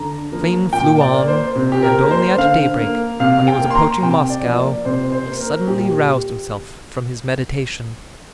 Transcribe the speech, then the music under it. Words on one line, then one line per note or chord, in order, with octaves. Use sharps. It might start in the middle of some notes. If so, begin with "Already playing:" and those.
The train flew on, and only at daybreak, when he was approaching Moscow, he suddenly roused himself from his meditation.
Already playing: D3 A#5
F3 A#3
A#2 G5
D5
A#3
C5
C3
G4
A#4
A#3
C5
D3 F5
A#3
C3 F5
G5
A#3
C6
A#5
C3 G5
D5
F3 A#3
D5
C3 C5
C5
A#3
A#4
A#2 G4